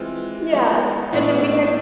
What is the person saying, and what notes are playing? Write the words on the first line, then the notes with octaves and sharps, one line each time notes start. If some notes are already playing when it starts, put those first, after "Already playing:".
Yeah. And then we had
Already playing: E3 G#3 C4 F4
F3 G#3 B3
A2 E3 G#3 B3 D#4